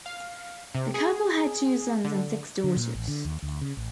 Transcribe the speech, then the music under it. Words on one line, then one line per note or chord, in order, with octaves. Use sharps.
The couple had two sons and six daughters.
F5
C3
G#4
D3
D3
A#2
A1
D3
D#2
D2
C#3
A1